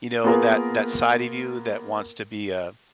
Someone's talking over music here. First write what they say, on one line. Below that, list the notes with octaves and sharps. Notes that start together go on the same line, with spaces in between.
you know, that that side of you that wants to be a
A#3 B3 F4 G#4 A#4